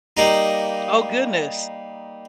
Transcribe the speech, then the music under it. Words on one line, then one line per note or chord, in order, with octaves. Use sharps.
Oh, goodness.
G3 A#3 D#4